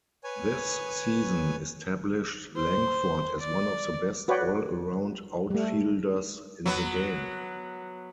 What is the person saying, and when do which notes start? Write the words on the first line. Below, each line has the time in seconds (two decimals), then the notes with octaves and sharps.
This season established Lankford as one of the best all-around outfielders in the game.
0.24 B4 C#5 G#5
2.56 C5
3.40 D5
4.28 F#4 B4 C#5 D5 F#5 G5
5.50 G3 A3
6.66 F#3 B3